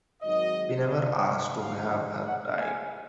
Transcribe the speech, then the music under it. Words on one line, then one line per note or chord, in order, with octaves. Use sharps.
We never asked to have her die.
G#1 G#2 D#3 F#3 D#5
D#2 D3 F#3 B3 F5
F#5
G#5